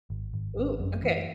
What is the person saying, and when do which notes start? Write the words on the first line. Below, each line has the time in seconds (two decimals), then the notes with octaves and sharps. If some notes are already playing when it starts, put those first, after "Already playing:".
Ooh, okay.
0.10 G#1
0.34 G#1
0.57 G#1
0.80 F#2
1.04 E3